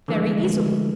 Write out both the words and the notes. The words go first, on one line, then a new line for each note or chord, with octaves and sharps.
"Very easily."
D3 E3 F3 G#3 A3